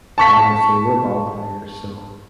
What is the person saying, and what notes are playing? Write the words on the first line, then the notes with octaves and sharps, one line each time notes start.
honestly, we're ball players, so,
A5 C#6 B6